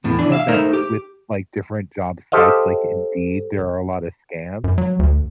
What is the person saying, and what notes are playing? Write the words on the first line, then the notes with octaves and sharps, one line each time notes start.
you said that with, like, different job sites like Indeed, there are a lotta scams.
E2 A2
E3 D4
E5 F5
A3 D#4 A#4 C5 E5
G4
G4 A4 C5 D#5 F5
F#2
F#3
D2